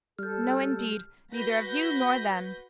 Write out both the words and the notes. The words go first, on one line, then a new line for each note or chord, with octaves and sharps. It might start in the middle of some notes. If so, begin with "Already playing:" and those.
No, indeed, neither of you nor them.
G3 A4 F6 G6
F#4 B4 G6 A#6 B6